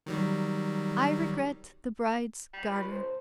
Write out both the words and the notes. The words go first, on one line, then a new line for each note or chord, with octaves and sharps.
I regret the bride's garter.
D#3 F#3 G3
G3
C#2 B5
C5